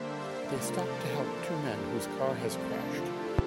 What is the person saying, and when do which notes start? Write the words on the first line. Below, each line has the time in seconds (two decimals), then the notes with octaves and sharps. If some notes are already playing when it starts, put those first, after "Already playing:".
They stop to help two men whose car has crashed.
Already playing: D3 G3 A#3 D4 C5 E5
0.13 C5 E5
0.42 C3 F3 A3 A#4 D5
0.71 A4 C5
1.01 E3 A#3 D4
1.57 A#2 G3 D4 G4 A#4
2.15 C3 F3 A3 C4 A#4 D5
2.45 A4 C5
2.73 D3 F3 A3 D4 F4 A4
3.02 E4 G4